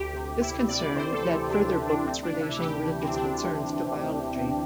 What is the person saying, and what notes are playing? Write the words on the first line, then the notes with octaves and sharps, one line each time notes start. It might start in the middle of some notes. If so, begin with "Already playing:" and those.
This concern led further books relating religious concerns to biology.
Already playing: D2 G4
C3
D2 E4
C3 D5
E3 C5
A4
E3
D2 D4
G4
D2
D4
D2 C4
D4
C3
E4
E3 G4
E3
C4
D2 D4